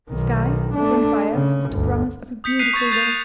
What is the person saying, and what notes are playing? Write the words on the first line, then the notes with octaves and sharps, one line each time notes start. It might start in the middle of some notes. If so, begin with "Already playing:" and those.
The sky was on fire with the promise of a beautiful day.
B1 D#3
A3 D4
C#3
G1 D2
D#6 G6 B6 C#7
F#6 B6 C7 D#7 F7
C#6 D#6 G#6 A6
G6 A6 F7